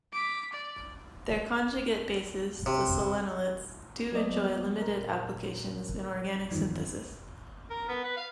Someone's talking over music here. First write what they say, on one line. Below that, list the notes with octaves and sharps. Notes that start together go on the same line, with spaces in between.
Their conjugate bases, the selenolates, do enjoy limited applications in organic synthesis.
D6 B6
D5
C3
F#3 A#3 B3 D5 D#5
A#4
E2 G2 D#3 F3
A#4
B3
B4
F5